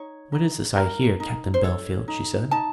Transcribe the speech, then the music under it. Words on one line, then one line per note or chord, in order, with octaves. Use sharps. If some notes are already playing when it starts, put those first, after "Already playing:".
"What is this I hear, Captain Bellfield?" she said.
Already playing: D#4 C#5
D#4
A#4
D#4
C5
A4 C#5
D#4
D#4 A5